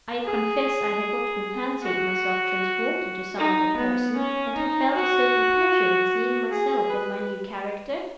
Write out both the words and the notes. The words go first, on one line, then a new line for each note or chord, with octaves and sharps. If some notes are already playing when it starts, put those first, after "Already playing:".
I confess I have often fancied myself transformed into some other person, and have felt a certain pleasure in seeing myself in my new character.
G#4
F#4
D#4
B3
C#4
D#4
F#4
G#4
B4